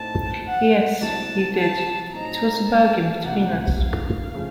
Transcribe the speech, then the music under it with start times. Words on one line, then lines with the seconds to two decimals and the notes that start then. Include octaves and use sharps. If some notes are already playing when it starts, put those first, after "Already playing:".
Yes, you did; it was a bargain between us.
Already playing: A2 A3 C4 D#4 A5
0.47 F#5
1.02 C2 C3 F#3 C4 A5
1.57 A5
2.12 A2 F#3 C4 D#4 A#5
2.67 A5
3.23 C#2 C3 F3 A#3 C#4 F#5
3.79 F5
4.33 C#3 F3 A3